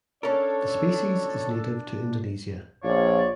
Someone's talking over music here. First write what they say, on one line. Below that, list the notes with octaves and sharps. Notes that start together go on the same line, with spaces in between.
The species is native to Indonesia.
C#4 D4 A4 A#4 C#5
A#1 F4 C#5 D5